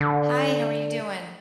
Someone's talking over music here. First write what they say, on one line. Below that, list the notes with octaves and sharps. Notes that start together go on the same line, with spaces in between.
Hi, how are you doing?
D3